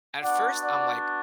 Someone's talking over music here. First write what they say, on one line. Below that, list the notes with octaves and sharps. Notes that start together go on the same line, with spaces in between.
at first, I'm like,
B3 D4 F#4 D5 F#5
D5 F#5